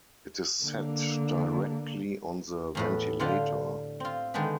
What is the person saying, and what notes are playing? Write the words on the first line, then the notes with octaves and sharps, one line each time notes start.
It is set directly on the ventilator.
D3 A#3
E2 A2 B4
D3 F4 G4 D5 F5 F#5
C4 F4
D3 D#3 G#3 B3 D4 G4